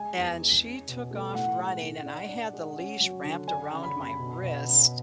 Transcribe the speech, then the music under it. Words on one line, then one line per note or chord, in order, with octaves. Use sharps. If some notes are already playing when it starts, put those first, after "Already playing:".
and she took off running and I had the leash wrapped around my wrist,
Already playing: G#3 G#5
E2
G#3
C#4
B2
A3
A2 F#5
G#3
A2
D4
D4
G#3
C#4
F#3
D3
D4 G#5
C#3
B5
F#2
B5
B2
B2
C#4